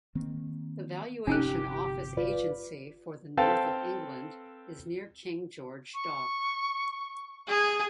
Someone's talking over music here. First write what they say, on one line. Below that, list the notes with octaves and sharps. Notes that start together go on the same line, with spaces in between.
The Valuation Office Agency for the north of England is near King George Dock.
D#3 A#3 C4
G1 C3 F3 C#4 D#4 G4 F#6
F4 B4 D5
C4 A4 B4 F5 G5 A5
C#6
G#4